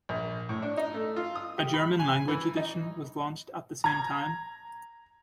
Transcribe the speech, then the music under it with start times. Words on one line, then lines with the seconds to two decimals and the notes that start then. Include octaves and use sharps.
A German language edition was launched at the same time.
0.09 A#1
0.49 A2
0.62 D4
0.77 D#4
0.94 A3
1.16 F4
1.35 D#6
1.58 G4
1.74 B5
1.99 G#5
2.28 E3
2.57 D#4
3.84 A#5 G#6